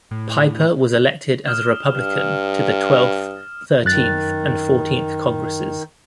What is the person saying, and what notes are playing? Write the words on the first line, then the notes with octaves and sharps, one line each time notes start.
Piper was elected as a Republican to the Twelfth, Thirteenth, and Fourteenth Congresses.
A2
D#6 F6 E7
G2
F#2 D#3 F#6 A6